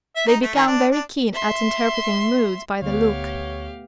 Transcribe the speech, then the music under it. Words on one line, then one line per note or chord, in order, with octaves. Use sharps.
They become very keen at interpreting moods by the look.
E5
D#4
A3
D#3
D4
D4
E5 C6
D2 A3 B3 G4 C#5 F5